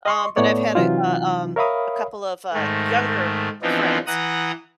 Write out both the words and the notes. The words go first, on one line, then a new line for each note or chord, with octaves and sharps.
Um, but I've had a a, um a couple of, uh, younger friends,
D#5 C6 C#6
A2 A3 B3 C#5 D5
C3 E3 F#3 D#4 F4
A#4 C#5 E5 F5 B5 D#6
G#2 D#3 A3
E3 F3 B3 C4 D4 D#4
E3 F#5 A#5 D#6